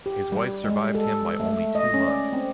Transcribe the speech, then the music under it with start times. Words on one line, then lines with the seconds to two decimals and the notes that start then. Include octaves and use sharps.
His wife survived him by only two months.
0.06 G4
0.32 G3
0.64 G#3
0.95 A4
1.40 A3
1.75 D#5
1.94 C#4
2.08 D5
2.33 C4